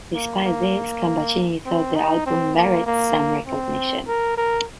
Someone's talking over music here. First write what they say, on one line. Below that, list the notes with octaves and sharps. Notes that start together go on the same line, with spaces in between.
Despite this, Gambaccini thought the album "merits some recognition".
A#3
A#3
C4
D#4
C4
A#3
A#3
C4
A#4
A#4